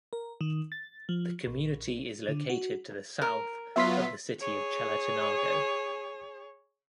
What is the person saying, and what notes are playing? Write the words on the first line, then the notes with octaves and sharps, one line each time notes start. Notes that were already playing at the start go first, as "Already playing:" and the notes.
The community is located to the south of the city of Chalatenango.
A#4
D#3
A6
F3
A#1
D3
F#4
A#4
F#3 B3 F4 E5 C6 B6
G#4 C#5